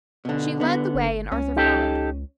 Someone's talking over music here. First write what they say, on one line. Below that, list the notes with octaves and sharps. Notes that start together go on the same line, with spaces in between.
She led the way and Arthur followed.
B2 D3
D3 B3
G1
C#2 C#4
D#4 G4 A4